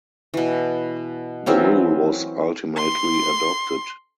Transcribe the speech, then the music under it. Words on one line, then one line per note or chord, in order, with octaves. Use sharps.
The rule was ultimately adopted.
B2 E3
E3 F#3 C4 C#4
C6